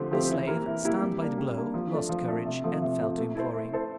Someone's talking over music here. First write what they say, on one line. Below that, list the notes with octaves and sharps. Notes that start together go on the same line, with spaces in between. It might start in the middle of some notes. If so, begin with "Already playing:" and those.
The slave, stunned by the blow, lost courage and fell to imploring.
Already playing: D3 F3 A3 C4 G4
F3 A3 C4 G4
E3
A#3 E4 G4 A#4
E3
A#3 E4 G4 A#4
G3
A#3 D4
G3
A#3 D4
F3
A3 D4 A4
F3
A3 D4 A4
C3
F3 A3
C3
F3 A3
A3
E4 A4 C5
A3
E4 A4 C5